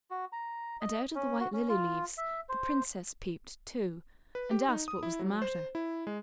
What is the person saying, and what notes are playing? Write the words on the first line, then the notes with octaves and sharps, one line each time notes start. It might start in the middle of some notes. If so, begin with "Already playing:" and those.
And out of the white lily leaves the Princess peeped, too, and asked what was the matter.
F#4
A#5
D#5
C#4
F#4
C#4
F4
E5
C5
B4
G4
D#4
D#6
E4
F#3
C5
E4
G#3